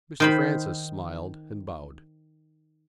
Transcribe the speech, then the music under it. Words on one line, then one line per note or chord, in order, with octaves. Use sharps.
Mr. Francis smiled and bowed.
D#3 C5 B5